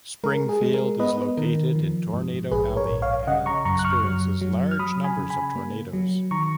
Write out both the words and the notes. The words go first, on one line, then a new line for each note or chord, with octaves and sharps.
Springfield is located in Tornado Alley and experiences large numbers of tornadoes.
G#3 A#4
G#4
G#3
A#4
B3 B4 D#5
D#3 A#4
F3
G#2
A#1 G#4 B4
A#4 C#5
A#1
C#5 F5
C#3 D#5 F#5
A#5 C#6
F#2 A#5 C#6
F#6
C#6 F6
F#3
F#3
F6
F#3 B5 D#6
G#5 B5
C#3
G#5 B5
A#3
F#3
D#3 A#5 C#6